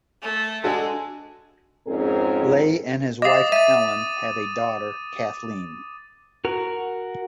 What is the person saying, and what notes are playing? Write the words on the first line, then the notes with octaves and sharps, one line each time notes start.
Ley and his wife Ellen have a daughter, Kathleen.
A3
G#3 D4 F#4 A4
F2 G#2 C4 C#4 G#4 A#4
D#5 F5 D6 D#6 A6
E5 A6 D#7
F#4 A#4